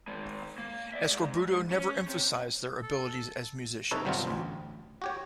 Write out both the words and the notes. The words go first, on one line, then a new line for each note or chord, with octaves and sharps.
Eskorbuto never emphasized their abilities as musicians.
D#3 G#3
A#3
D5 E5
G#2
C#4
C3
A4
C3 D#4 A4 B4 C#5
G1 C3 F#3 G3 B3 F4
A1 D2
F#4 G4 C#5